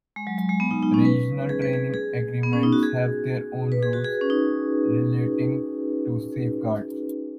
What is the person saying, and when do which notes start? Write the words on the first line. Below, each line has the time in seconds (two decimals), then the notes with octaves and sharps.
Regional trading arrangements have their own rules relating to safeguards.
0.16 G#3
0.27 F#3
0.38 F#3
0.49 G#3
0.60 B3
0.71 D#4
0.83 D#4
0.94 C#4
1.05 B4
1.49 G#4
1.62 B4
1.73 G#4
1.94 G#4
2.43 B3
2.53 C#4
2.63 D#4
2.73 F#4
2.83 G#4
3.72 B4
3.83 G#4
3.93 F#4
4.04 G#4
4.21 C#4
4.30 D#4